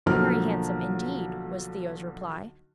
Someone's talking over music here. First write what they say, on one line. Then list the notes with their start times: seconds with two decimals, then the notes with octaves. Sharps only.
"Very handsome, indeed," was Theo's reply.
0.06 B1 D3 F3 A#3 F6